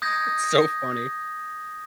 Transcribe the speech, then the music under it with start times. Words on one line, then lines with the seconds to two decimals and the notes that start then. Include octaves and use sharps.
It's so funny.
0.02 D#6 G6 G#6 A#6